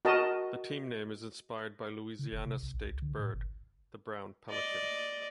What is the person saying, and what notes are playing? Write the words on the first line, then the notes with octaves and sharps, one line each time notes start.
The team name is inspired by Louisiana's state bird, the brown pelican.
F#4 A#4 D#5 A5
C#3
F1
C3
B1
A#1
C2
D3
A2
G1
D5 D#5